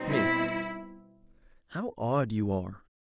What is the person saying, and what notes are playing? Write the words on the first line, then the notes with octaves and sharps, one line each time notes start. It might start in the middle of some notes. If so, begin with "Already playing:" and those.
ME: How odd you are!
Already playing: B2 G3 C4 D#4
E4